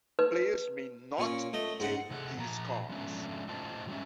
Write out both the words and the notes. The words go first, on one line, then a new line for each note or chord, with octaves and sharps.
Players may "not" take these cards.
B4
A#2 C#4
A3 D#5
G#2 F#5
C3 A3 F#5
A#2 F3 A#5
F3 G#3 A3 C#4 D4 E5
A2 A3 F4 C5 D#5 A5
G3 G#3 C#4 E5